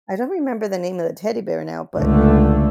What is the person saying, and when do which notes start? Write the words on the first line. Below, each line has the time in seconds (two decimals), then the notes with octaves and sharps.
I don't remember the name of the teddy bear now, but
1.96 C#2 D3 A3